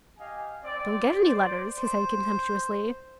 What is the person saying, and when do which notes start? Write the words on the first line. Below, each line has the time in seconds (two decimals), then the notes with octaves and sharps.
"Don't get any letters," he said contemptuously.
0.18 G4 D#5 F5 G#5
0.64 C4 D5
1.21 C5 D5
1.76 C5